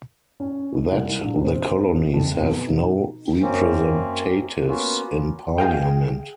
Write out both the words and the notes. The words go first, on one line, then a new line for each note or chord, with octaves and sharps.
That the Colonies have no Representatives in Parliament.
C#4
D#4
C2
A#1
C4
D#3
F2
B2
D#4
F#2 A#3 C4 C#4
A#3 B3 C#4 F4 F#4
G#4 D#5 F5 G5